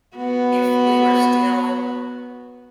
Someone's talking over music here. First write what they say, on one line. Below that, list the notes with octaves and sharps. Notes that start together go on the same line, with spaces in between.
if we were still
B3 F#4